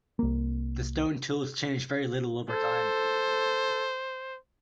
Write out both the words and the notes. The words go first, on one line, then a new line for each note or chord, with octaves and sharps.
The stone tools changed very little over time.
C2 A#3
A4 C5